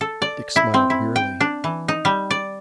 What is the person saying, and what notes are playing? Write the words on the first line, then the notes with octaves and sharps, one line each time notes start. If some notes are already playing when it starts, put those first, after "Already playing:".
Dick smiled wearily.
A4
D5
E4
C4
E4
G5
D4
E3
D#4
G3
D5